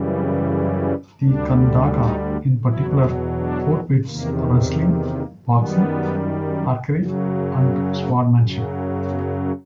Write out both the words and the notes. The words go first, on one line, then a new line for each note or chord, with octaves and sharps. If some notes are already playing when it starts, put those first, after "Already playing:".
The Khandhaka in particular forbids wrestling, boxing, archery, and swordsmanship.
Already playing: F#2 C#3 E3 G3
C4
D2 D3 G3 D4
D#4
E2 B2 F#3 E4
D4
E2 C3 D#3 A#3
A3
A#3
F#2 D#3 G3 B3
F#2 C#3 F#3
A#3
A3
F#2 C#3 F#3
B3